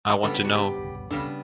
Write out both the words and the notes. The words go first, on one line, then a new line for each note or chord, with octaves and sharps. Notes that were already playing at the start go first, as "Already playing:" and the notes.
I want to know.
C#3 G3 B3 D4 A4
G4
F#4
G4
C#3 G3 B3 D4 A4